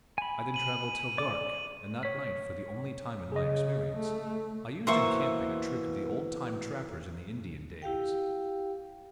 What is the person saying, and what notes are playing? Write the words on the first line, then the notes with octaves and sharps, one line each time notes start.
I then traveled till dark, and that night, for the only time in my experience, I used in camping a trick of the old-time trappers in the Indian days.
G#5 B5
D#7 F#7
D5 D6
C#5 B6
C#3 G#4 D#5
A3
B2 E3 A#3 C5 E5 C#6
E4 G4 F5 G5